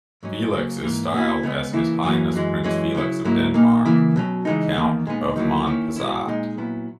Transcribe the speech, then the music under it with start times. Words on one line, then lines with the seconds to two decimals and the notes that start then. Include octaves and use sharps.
Felix is styled as "His Highness Prince Felix of Denmark, Count of Monpezat".
0.23 G#2 F#3 C#4
0.52 C#3 F#3 A#3
0.83 G#2 E3 A#3
1.13 B2 A#3 C#4 E4
1.43 C#3 G#3 B3
1.73 C#3 E3 A#3 E4
2.03 F#2 E3 A#3 C#4
2.33 F#2 E3 G#3
2.64 F#2 E3 G#3 C#4
2.95 C#3 F#3 C#4 E4
3.25 G#2 F#3 A#3 E4
3.54 A#2 A#3 D#4
3.85 C#3 E3 A#3 E4
4.16 B2 F#3 C#4
4.45 C#3 E3 G#3 D#4
4.76 E2 D#3 A#3
5.06 A#2 G#3 B3 D#4
5.36 D#3 F#3 A#3 E4
5.67 D#3 A#3 C#4 E4
5.96 B2 G#3 C#4 E4
6.27 A#2 G#3 D#4
6.57 A#2 F#3 B3 E4